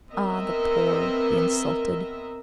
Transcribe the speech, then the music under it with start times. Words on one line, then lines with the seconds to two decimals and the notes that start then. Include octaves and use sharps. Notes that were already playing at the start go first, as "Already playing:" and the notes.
Ah, the poor, the insulted!...
0.10 B3 C4 A#4 D#5 E5 A#5